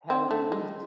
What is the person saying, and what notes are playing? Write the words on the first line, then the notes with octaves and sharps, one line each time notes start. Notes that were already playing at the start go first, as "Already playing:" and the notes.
had to release
C4
A3
G#3